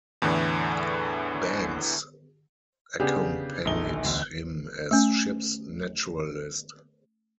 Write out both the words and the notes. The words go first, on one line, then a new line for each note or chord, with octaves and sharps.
Banks accompanied him as ship's naturalist.
E2 A2 D3 E3
C#3 B3 D4 G4 G#4
D1 A#1 D#4 A4 G7
E1 D2
A3 C#4